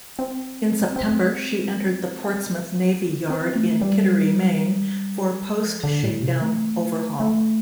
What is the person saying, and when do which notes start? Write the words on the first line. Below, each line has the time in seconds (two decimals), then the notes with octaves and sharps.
In September, she entered the Portsmouth Navy Yard in Kittery, Maine, for post-shakedown overhaul.
0.19 C4
0.96 C4
3.30 C4
3.55 A3
3.82 G3
5.63 F3
5.83 D3
6.03 A2
6.22 C3
6.41 A3
7.20 A3